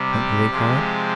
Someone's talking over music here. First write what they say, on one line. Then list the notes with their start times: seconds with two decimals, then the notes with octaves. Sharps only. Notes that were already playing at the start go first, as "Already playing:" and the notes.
What do they call it?
Already playing: C3 G3
0.11 G4
0.50 C3 F3 G#3